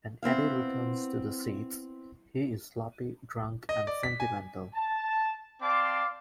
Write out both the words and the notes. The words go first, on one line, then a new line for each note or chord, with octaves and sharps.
When Eddie returns to the seats, he is sloppy drunk and sentimental.
B3 C4 E4 F5
D#5
D5
B6
G#5
A5
C4 D5 F5 A5 C6 D6